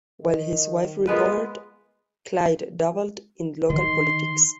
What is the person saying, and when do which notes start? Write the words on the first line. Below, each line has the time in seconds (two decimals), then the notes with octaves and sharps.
While his wife recovered, Clyde dabbled in local politics.
0.21 D#3
1.07 G#3 B3 F4 A#4 B4
3.70 D#3 C6